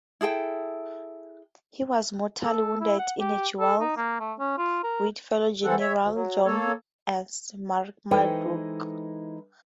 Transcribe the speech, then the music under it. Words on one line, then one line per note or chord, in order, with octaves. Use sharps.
He was mortally wounded in a duel with fellow general John S. Marmaduke.
E4 G#4 A4 G5
A4
E4
F#5
G4
A4
D#4
A#3
A3
C#4
F4
A#4
E3 C4 A4 F#5
C#5 E5
D2
F#3
A#3 A4 C#5
E3 G#3 D#4 A4 C5 G5